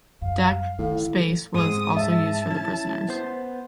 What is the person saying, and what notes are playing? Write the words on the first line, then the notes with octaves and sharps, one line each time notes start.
Deck space was also used for the prisoners.
F#2 G3 F5
A2 D#3
G#2 G#3 C4 D#6
E5 A5
C#4 E4
B3 C5